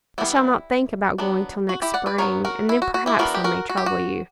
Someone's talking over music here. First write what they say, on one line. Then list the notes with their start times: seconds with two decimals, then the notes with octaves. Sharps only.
I shall not think about going till next spring; and then, perhaps, I may trouble you.
0.18 E3 G3 B3 E4
1.18 F#3 B3 D4
1.69 F#4
1.82 E4 G4
1.94 D5 F#5
2.06 B4 D5
2.18 F#3 B3 D4 A#4 C#5
2.45 F#4 A#4
2.69 E4
2.82 F#4
2.94 F#4
3.06 E4 G4
3.19 E3 B3 D4 F#4 A#4
3.34 G4
3.44 F#4 A#4
3.69 F#4
3.77 G4
3.86 F#4